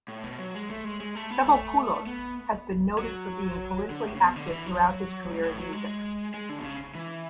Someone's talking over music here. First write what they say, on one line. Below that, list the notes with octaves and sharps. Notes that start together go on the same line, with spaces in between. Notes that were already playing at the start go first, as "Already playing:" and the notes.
Savvopoulos has been noted for being politically active throughout his career in music.
A2
B2
F#3
G#3
A3
G#3
G#3
A3
B3
A3
B3
F#3
D3
A2
C#3
B2
D3
E3
F#3
G#2
A2
F#3
G#3
G#3
D3
B2
C#3
E3